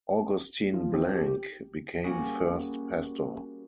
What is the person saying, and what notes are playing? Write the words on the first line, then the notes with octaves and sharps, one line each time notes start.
Augustin Blanc became first pastor.
F3
C4
G4
G4
G3 A#3 C#4 F#4 G#4